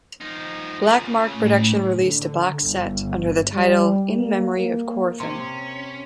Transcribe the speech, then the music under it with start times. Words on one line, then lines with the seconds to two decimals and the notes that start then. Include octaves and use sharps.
Black Mark Production released a box set under the title "In Memory of Quorthon".
0.21 F3 D#4
0.82 C#3 F4
1.35 A2
1.94 D3
2.63 G1
3.53 G3
4.15 A#3
4.57 A#3
5.20 C3 C#4 C6